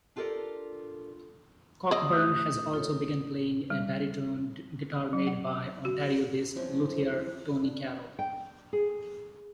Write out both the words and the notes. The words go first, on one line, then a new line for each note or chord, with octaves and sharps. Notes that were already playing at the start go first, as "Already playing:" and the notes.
Cockburn has also begun playing a baritone guitar made by Ontario-based luthier Tony Karol.
D4 F4 G4 A4 A#4 D5
D5 D#5 C6 D#6 E6
A3 G4 D#6 F6 G6
F4 A4 C#5
G3
F#3
F#5
F#4
F#2 E3 F3 C4
D4
G5
G#4